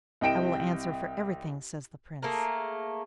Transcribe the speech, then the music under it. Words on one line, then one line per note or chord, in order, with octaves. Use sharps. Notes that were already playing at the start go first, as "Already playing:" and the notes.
I will answer for everything,' says the Prince.
C2 D#5 G5 D7 E7
A3 A#3 G#4 A#4